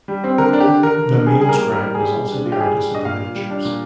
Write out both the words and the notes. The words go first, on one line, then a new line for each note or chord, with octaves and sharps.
The main scribe was also the artist of the miniatures.
G3
C4
D3 A#4
D4
G4
D3
D3 A#4
D3
D3
G3 G#4
G3 G#4
A#4
A#3
G3 A#4
G3
G#4
G3
G3
D4
F4
G4
G3 G#4
G3
D4 D#5
A#2 F5
F4
G3
D4
A#2